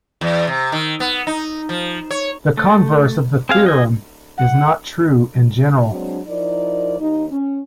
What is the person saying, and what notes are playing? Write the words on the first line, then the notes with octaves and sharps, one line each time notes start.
The converse of the theorem is not true in general.
E2
C3
D#3
B3
D#4
F3
C#5
A3
C4 G#4 F5
D#5 G#5
F#5
F#3 G#3 C4 D4
F3 D#4 E4 A#4 D5
D#2 D#4
C#4